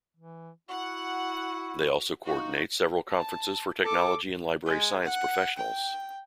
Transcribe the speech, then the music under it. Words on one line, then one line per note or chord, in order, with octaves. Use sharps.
They also coordinate several conferences for technology and library science professionals.
E3
E4 F#4 F#5
D#4 F4 F#4
A5
A4 D6
G#3
F#5
G5